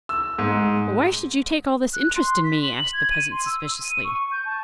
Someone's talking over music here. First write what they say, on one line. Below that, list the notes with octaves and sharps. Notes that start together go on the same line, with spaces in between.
'But why should you take all this interest in me?' asked the peasant suspiciously.
E6
G#2
F#6
C6
B6
F#7
G#6
D#7
C6
E6
D#7
C#6
G6
A5